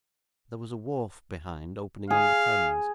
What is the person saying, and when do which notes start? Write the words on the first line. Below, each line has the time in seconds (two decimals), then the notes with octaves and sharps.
There was a wharf behind, opening on the Thames.
2.10 G#4 F5